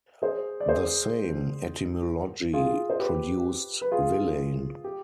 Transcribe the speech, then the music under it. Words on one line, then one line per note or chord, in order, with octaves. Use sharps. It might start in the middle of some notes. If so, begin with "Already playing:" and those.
The same etymology produced villein.
G#4 C5
D5
G#4 C5
F4 G#4
C5
G4 B4
B4
F4 G#4
G4